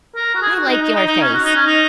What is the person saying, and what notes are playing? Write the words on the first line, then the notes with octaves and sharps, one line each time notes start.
I like your face.
A#4
F#4
G#4
F#4
D#4
D#4
D#4
D#4
C#4
F#4
D#4
C#4
D#4